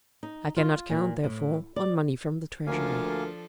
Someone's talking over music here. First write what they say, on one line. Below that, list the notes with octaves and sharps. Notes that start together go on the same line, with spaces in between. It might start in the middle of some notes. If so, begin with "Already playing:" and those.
"I cannot count, therefore, on money from the treasury."
D#4
F4
A#2
A2
D5
D2 F3 A#3 D4 A4 A#4 F5 G#5